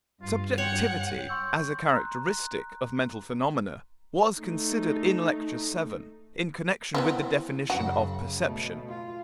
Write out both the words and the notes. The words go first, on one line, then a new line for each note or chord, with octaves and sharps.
Subjectivity, as a characteristic of mental phenomena, was considered in Lecture VII, in connection with the definition of perception.
G2 F4
C#5 F#5 G5
C6 C#6 E6 G6
A#5 C6 F#6
A3 D#4
E3 B3 C4
F#2 C#3 F#4
B2 A3
F4